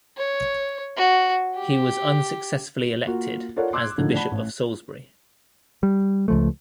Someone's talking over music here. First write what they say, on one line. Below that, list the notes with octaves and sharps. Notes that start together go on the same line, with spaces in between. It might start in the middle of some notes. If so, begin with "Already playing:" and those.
He was unsuccessfully elected as the Bishop of Salisbury.
C#5
F#4
G4
A#3 F4 F#4
F4 A4 A#4 C#5 D5 F#5
C6 D6 E6 F#6 G#6
A2 D3 D#3 F3
D5 F#5 A5 B5
A1
G3
C#2 F3 A3